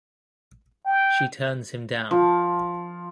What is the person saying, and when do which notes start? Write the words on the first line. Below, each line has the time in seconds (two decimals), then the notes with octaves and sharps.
She turns him down.
0.86 G5
2.11 F3